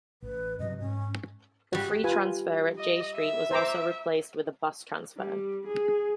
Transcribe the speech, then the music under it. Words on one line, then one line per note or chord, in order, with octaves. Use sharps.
The free transfer at Jay Street was also replaced with a bus transfer.
A1 B4
G2 C3 F#3 D#5
G#2 C#4
G3 F#4
F4 B4 G#5
D#5
E5
C5 A#5 D6
G3
G#4